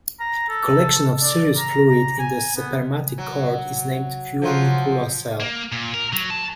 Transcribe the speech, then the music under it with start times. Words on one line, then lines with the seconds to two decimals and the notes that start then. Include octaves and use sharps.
A collection of serous fluid in the spermatic cord is named 'funiculocele'.
0.20 A#5
0.49 A4
1.23 D5
1.57 A#5
1.89 A#5
2.19 G#5
2.57 B3
3.18 F#3
4.42 F3 F#3 F4
5.40 A#3
5.72 A#2
5.94 A#4
6.13 F#3
6.30 A5